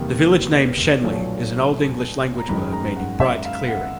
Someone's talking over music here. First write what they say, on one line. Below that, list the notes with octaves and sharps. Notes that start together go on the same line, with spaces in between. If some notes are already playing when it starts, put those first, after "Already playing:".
The village name 'Shenley' is an Old English language word meaning 'bright clearing'.
Already playing: E2 C3 D#3 G3 A#3
B1 A#2 F#3 A3
A#5
G#1 F#2 D#3 G#3 B5
A#5
F#5
E5
F5
F#5